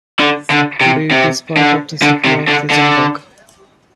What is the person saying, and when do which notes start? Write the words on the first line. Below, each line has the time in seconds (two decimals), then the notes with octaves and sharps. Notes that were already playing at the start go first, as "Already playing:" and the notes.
Today it is part of the city of Weissenburg.
0.20 D3
0.50 D3
0.81 C3
1.11 C3
1.57 D3
2.02 D3
2.24 C3
2.48 D3
2.70 D3